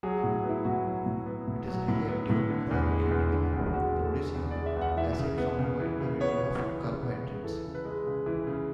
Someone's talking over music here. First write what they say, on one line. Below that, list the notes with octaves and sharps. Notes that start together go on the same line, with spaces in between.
It is highly active biochemically, producing acid from a wide variety of carbohydrates.
F#3 G#4
F#4
A2
F#4
B3
E4
A2 F#4
F#3
A2
B3
A2
F#3
A2
B3
A2
D3
E2
G#3
E2
D3
E2
G#3 F#4
E2
A4
D3
E2
G#3 D5
E5
E2 F#5
E3 E5
C#3
B3
C#3
E3
C#3
B3 C#5
C#3
E3
C#3
B3
C#3
E3 A4
C#3
B4
G#3
C#3
E3
C#3